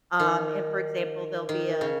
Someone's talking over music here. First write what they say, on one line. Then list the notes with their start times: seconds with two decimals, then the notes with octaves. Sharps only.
Um, and, for example, there'll be a
0.20 D#3
1.49 D#3
1.81 C#3